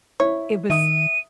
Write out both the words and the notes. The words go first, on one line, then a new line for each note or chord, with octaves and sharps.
it was
E4 C#5
D#3 E5 D#6 D#7